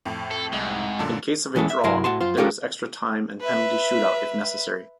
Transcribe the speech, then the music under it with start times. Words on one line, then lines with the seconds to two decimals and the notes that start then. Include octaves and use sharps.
In case of a draw, there is extra time and penalty shootout if necessary.
0.05 F2 A2
0.31 A4
0.52 C2 G#2
0.99 F#2 A#2 D3 A5
1.55 E2 E3 G#3 C#4 A4
1.70 E5
1.84 C2 G2 F#3 E4 A#4 C6
2.04 A2 F#4 A5 C6
2.21 F#2 F4 C5
2.37 C#4 F4 G4 A4 A#4
3.41 B4 E5